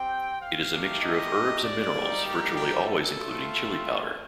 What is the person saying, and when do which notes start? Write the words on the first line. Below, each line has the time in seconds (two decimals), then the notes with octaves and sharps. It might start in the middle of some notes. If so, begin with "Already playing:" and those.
It is a mixture of herbs and minerals, virtually always including chilli powder.
Already playing: C4 G4 G5
0.42 F5
0.72 A3 D#4 G4
1.03 D#5
1.64 D5
1.95 G3 A#3 D#4
2.25 G4
2.56 G4
2.86 A4
3.17 A3 C4 F4